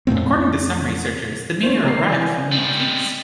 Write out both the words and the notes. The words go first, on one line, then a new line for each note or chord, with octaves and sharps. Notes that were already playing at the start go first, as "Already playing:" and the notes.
According to some researchers the meteor arrived from the north-east.
F2 A#2 A3 C4
C#4 C5
C3 A#5 C7
D#3
E3 D5 G#5 G6
G3 G#3